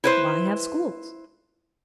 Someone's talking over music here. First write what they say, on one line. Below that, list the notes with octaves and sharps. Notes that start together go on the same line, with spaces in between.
"Why have schools?"
E4 B4 C5